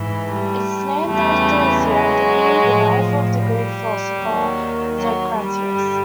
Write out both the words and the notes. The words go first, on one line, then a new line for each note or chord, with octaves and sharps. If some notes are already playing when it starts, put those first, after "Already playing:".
It is named after Xanthippe, the wife of the Greek philosopher Socrates.
Already playing: G#2 E3
G3 A3
E2 C#3 E3 G3 A3
F#3 G#3
A2 F3
G3
D#2 D#3 F#3
F#3
G3
G2 D3